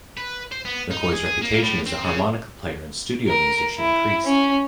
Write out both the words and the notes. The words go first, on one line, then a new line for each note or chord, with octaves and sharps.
McCoy's reputation as a harmonica player and studio musician increased.
B4
C5
B3
D#4
G#4
G#4
A#3
A2
C4
C#3
A#4
E4
C#4